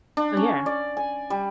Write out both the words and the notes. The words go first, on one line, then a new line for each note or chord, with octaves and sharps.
Oh yeah.
D4
C#4
D5
G#5
G3